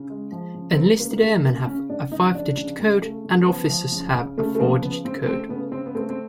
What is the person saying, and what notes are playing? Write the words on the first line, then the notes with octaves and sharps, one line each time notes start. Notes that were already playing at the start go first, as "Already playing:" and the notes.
Enlisted airmen have a five digit code, and officers have a four digit code.
Already playing: C#3
G#3
F3
C#3
C4
G#3 B3
C#3 A#3
A#3
C#3 A3
C#3 A#3
C#3 C#4
C#3 D4
C#3 D#4
F3 D4
C#3
C#3
A3
C#3
F3 B3
F3
C#3
C#3
C#3 A3
A3
F3 A#3
C#3 B3
C#3 C4
A3 C4
C#3 B3
C#3 C4
B3
A3 C4
C4